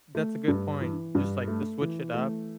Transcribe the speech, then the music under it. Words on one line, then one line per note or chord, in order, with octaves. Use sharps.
That's a good point. Just, like, to switch it up.
A3
G2
E3
G2
A3
E3
A3